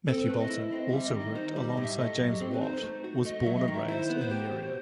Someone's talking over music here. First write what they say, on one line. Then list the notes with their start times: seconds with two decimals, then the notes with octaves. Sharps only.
Matthew Boulton also worked alongside James Watt, was born and raised in the area.
0.08 C4 A4
0.24 B4
0.29 A3
0.40 D#5
0.50 E4
0.71 C4 D#5
0.88 E5
0.93 G3
1.03 D#5
1.14 D#3 D#5
1.34 D#4 C5
1.51 G3 C5
1.67 D#5
1.77 A2
1.83 E5
1.98 A3 D#5
2.20 F#3
2.31 G4
2.41 C4 A4
2.52 B4
2.61 D#4 C5
2.83 A3
3.04 F#4
3.25 A3 D#5
3.41 E5
3.46 F#3
3.57 D#5
3.68 D#3
3.73 E5
3.88 E4 C5
4.10 B3
4.21 C5
4.31 G4
4.52 F#4